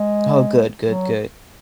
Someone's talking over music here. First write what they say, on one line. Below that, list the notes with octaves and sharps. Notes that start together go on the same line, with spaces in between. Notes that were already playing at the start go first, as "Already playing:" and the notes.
Oh, good, good, good.
Already playing: G#3
F#3